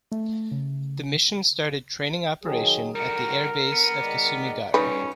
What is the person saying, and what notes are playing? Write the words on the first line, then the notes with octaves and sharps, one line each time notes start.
The Mission started training operation at the air base of Kasumigaura.
A3
C#3
D#3 F#3 G#4
D3 G3 F#4 A#4
B3
D#3 G#3 D5
G2 B2 C#4 D#4 B4